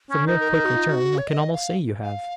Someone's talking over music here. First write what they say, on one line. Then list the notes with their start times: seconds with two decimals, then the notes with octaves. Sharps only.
From your quick return, I can almost say you have.
0.11 C#4
0.27 D#4 A#4
0.40 A#4
0.52 A#4
0.65 F#4
0.76 F4
0.89 F#4
1.18 C#5
1.28 D#5
1.53 F5
2.02 F5